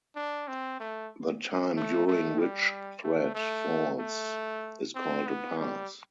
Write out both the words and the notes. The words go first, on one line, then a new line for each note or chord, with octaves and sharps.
The time during which Thread falls is called a Pass.
D4
C4
A3
A3
A3
G3
A3
A3
A3
C4
B3
G3